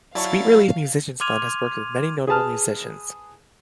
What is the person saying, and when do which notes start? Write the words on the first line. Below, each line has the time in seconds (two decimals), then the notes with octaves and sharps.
Sweet Relief Musicians Fund has worked with many notable musicians.
0.15 F#3 E4 D5 F5 A5 C#6 A6
1.20 C6 D6 F6 G#6 D#7 F7
2.27 G#4 B4 A5 F6